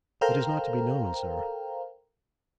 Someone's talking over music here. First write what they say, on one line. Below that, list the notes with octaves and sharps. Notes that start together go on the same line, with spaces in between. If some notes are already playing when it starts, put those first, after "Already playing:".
'It is not to be known, sir.
A4 A#4 C5 F5 G5 A#5